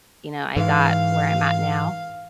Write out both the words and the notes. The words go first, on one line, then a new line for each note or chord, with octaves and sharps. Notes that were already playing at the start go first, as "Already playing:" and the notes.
you know, I got where I'm at now,
G#2 E3 F5